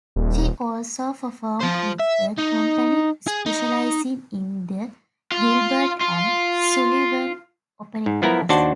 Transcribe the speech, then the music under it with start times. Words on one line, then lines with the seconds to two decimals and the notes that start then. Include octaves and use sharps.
She also performed with a company specializing in the Gilbert and Sullivan operettas.
0.16 D#1
1.61 F3 C5
2.00 E5
2.39 D#4
3.27 G#4
3.46 D#4
5.32 F4
6.01 F4
8.06 G#2
8.22 F3 B3 E4 A#4 A#5
8.49 D#2 D4 F#4 C5 D5 A5